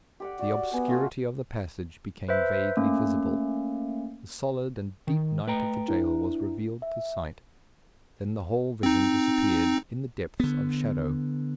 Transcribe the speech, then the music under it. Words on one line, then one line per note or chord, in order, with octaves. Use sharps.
The obscurity of the passage became vaguely visible. The solid and deep night of the jail was revealed to sight; then the whole vision disappeared in the depths of shadow.
G4 D5 F#5
F#4 D5
B3 G#5
A3 F4 F#4
B4 C5 E5
A3 A#3 C#4
D#3
A3 B4 G5 A#5
D4 E4
E5
C4 D#4
D3 B3